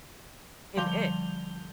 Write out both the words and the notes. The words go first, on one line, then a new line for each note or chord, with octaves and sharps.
And It.
D3 F3 G3 G6 F7 G7